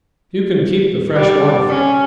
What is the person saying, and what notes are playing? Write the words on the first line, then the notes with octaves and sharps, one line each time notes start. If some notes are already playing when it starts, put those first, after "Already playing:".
"You can keep the freshwater fish!"
G3
C#4